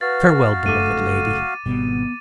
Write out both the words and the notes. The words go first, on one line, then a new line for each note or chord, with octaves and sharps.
'Farewell, beloved lady!
F#4 B4 F5 A6
F#1 F#2 A3 A4 D6 D#7
G#1 B2 G3 B3